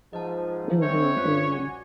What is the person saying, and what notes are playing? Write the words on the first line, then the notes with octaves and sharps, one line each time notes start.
Mhm, mhm.
G#2 F3 D#5 A5
C4 C#5 E5 G6
G2 C#4 F4 F#6
A#1 F#4 D5 G#5